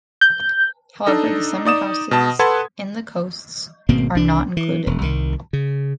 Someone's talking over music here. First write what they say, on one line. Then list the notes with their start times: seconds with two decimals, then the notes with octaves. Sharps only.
However, the summer houses in the coasts are not included.
0.21 G6
1.06 D4 D#4 A4 D#5
1.65 D#4 D5 D#6 E7
2.11 B2 A5
2.39 A4 B4 F#5 A5 C6 G#6
3.89 G#1 B2 A#3 C4
4.15 C2 D4
4.57 E3
4.87 E1
5.02 C2 D#3
5.53 C#3